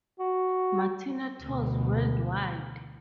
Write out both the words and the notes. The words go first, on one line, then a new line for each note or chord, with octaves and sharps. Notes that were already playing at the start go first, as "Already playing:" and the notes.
Martino tours worldwide.
F#4
D2 B2